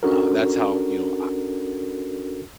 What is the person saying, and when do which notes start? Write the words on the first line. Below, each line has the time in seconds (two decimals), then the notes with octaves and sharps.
uh, that's how, you know, I
0.03 C#4 D4 F#4 A4 A#4